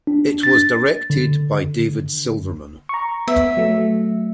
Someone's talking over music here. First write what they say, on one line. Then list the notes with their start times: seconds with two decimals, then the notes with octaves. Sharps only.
It was directed by David Silverman.
0.07 D4
0.43 A6
1.10 D3
2.89 A#5 C#6
3.28 B3 E5
3.57 F#3 A3